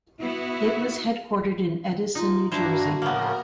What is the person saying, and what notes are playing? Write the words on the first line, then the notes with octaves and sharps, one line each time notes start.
It was headquartered in Edison, New Jersey.
B3 E4 F#4
D#4 F4
G2 D4 E4 F#4 C5 A#5
A2 C#3 F3 A#3 B3 A#4